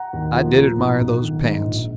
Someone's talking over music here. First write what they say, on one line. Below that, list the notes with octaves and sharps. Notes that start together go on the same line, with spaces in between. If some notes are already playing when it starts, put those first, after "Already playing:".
I did admire those pants.
Already playing: F#5 A#5
D#2
F3
A#2
B1
B1
D#3
G#2
A#1